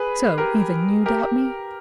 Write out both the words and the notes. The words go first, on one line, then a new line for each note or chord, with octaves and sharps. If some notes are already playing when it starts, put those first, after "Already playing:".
"So, even you doubt me?"
Already playing: G#4 B4
G4 A#4
G4 A#4